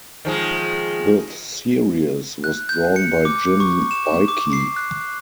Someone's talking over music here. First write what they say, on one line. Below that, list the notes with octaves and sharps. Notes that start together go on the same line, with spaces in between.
The series was drawn by Jim Baikie.
D#3 F3 G#3
F#6
G6
C#7
D6
C#6
E7
D6
C7
F#6